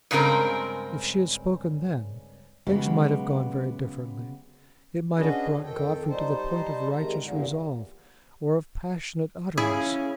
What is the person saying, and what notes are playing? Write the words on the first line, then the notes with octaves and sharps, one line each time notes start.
If she had spoken then, things might have gone very differently: it might have brought Godfrey to the point of righteous resolve or of passionate utterance.
G2 C#3 G#3 C4 A#4
C#3 F#3 G#3 B3 G4
C#4 D4 F#4 G#4 B4 D#5
F2 D#3 A4 G5
G3 D#4 C5 A5
G#2 C3 D#3 A#5
E2 G2 A#2 D3
C#3 C#4 E4 G#4